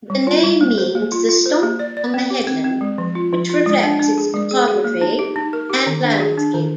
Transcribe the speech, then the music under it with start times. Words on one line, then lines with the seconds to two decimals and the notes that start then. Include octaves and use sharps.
The name means 'the stump on the headland', which reflects its topography and landscape.
0.10 G3
0.27 F4
0.44 G3
0.61 A#3
0.78 C5
0.95 A#3
1.12 F4
1.29 F4
1.46 C5
1.63 A#3
1.79 D5
1.97 D5
2.14 C4
2.30 G4
2.47 C4
2.64 C4
2.81 G#3
2.98 F3
3.15 F4
3.32 F3
3.49 F4
3.66 G#3
3.83 D4
4.00 D4
4.17 G#4
4.34 G#3
4.51 G#4
4.68 G#4
4.84 A#3
5.01 D#4
5.19 G4
5.36 D#4
5.53 A#4
5.70 G4
5.87 D#3
6.04 D4
6.20 G#4
6.38 D4
6.54 D#3